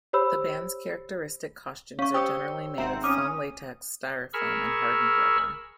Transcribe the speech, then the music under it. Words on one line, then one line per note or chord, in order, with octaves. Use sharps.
The band's characteristic costumes are generally made of foam latex, styrofoam, and hardened rubber.
G4 C5 C#5 B5 E6
C#4 F5 C#6
G4 C5 C#5 G5 D#6 E6
G#1 C4 E5 F#5 A#5
C#4 D6 D#6 F6
G#4 A#4 B5 C#6 E6 F6